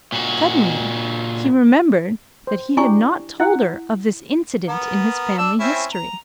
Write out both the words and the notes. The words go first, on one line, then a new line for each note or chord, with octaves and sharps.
Suddenly he remembered that he had not told her of this incident in his family history.
A#2 F#4
C5
D4 E4 G4 G#5 C#6
E4 F#5
B3 A#4
D4 E6
C4 C#4 E4
A#5